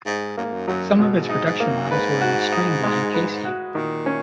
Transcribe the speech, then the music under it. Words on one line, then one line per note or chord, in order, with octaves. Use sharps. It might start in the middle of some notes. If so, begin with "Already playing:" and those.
Some of its production models were in a streamlined casing.
G#2 D#4
F#2 A#3
G#2
F#2
F#2 F#3
F#2 B2
A#2
G#2
D#4
G#2
A#3
F#2
G#2 B4
F#4
D#4
G#3
B4
F#4
A#2 D#3
C#4